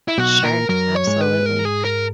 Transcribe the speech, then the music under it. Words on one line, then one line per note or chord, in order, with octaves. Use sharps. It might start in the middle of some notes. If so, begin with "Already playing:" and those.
Sure, absolutely.
E4
B1 B2 F#4
A#2 A#4
F#2 F#3 A#4
C#5
G#2 G#3
B4
A#4
G#4
A#4